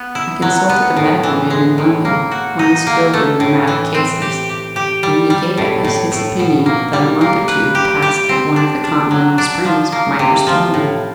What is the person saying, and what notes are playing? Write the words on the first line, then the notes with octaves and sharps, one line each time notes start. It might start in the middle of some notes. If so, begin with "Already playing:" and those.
I consulted a medical man in London, one skilled in rheumatic cases, and he gave it as his opinion that a month or two passed at one of the continental springs might restore me.
Already playing: B3
E4
F#3
B3
A2
E3
G#3
A2
A#3
F#4
D#4
A#3
A3
A2
E3
C4
G4
G4
G4
G3
G3
A2
A2
A2
B2
A#3
G3
A#3
B4
G4
G4
C4
D4
D4
F#3
D4
F3
A#3
C3
F3
A2